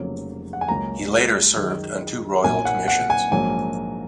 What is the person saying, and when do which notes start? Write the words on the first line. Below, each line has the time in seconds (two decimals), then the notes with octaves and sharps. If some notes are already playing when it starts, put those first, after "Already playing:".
He later served on two Royal Commissions.
Already playing: F1 F2 C#3 F#3 A#3
0.53 F#5
0.61 G#5
0.68 C#2 C#3 F#3 A#3 A#5
1.56 F#2 D#3 G#3
2.44 B1 A#2 F#3 A#3 G#5
2.65 F#5
2.88 F#5
3.10 G#5
3.32 A#1 G#2 F#3 A#3 G#5